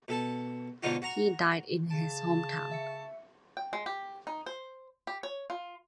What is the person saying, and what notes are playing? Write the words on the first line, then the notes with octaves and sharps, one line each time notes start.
He died in his hometown.
B2 A4 A5
G#2 B2 D3 D#4 F4 F#4
F#4 A#5 C#6
C#3 A5
E5 C#6 C#7
G5
G#3
G4
D#4
C5
G4
C#5
F4